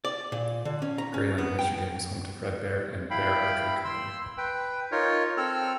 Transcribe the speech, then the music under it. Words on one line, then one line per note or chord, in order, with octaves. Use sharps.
Grayling, Michigan was home to Fred Bear and Bear Archery Company.
D5
A#2
D3
C#4
A#5
C#4
B3
G5
E4 F5 G5 B5
C6 E6
B4 G5
D#4 F4 A#4 C#5
C4 A4 E6 F6